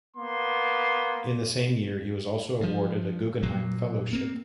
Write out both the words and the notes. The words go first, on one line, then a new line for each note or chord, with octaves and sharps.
In the same year he was also awarded a Guggenheim Fellowship.
A#3 B3 C6
G2 F3
A#2 F#3 A#3
A#3 C4